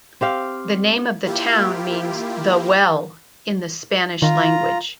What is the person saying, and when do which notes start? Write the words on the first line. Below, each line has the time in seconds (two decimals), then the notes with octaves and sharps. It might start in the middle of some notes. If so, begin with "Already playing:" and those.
The name of the town means "The Well" in the Spanish language.
0.21 C4 G4 F5
1.26 A#3 E4 F4 G4
4.22 D#3 F4 A#5